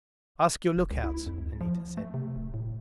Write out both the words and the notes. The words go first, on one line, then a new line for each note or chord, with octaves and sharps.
"Ask your lookouts," Anita said.
F1
C#2
E4
F2
D2
F3
A3
C3
D1
A2